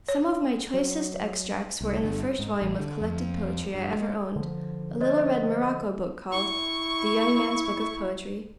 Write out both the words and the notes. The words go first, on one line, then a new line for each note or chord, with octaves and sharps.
Some of my choicest extracts were in the first volume of collected poetry I ever owned, a little red morocco book called "The Young Man's Book of Poetry."
C#5
F#3
C2
G1
G#2
A1
D3
F2
G2
G#3
D3 F3
A#3 C5 D#5
E4 C#6